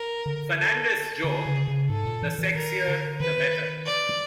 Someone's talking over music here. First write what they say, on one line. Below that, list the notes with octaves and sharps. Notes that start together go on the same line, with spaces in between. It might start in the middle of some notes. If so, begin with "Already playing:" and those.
Fernandes joked The sexier the better.
Already playing: A#4
D3
A4
D3 G#4
C#3
C#3
G#2 A4
A#2
E3
E3
D#3 A#4
D3
D#3 B4
D5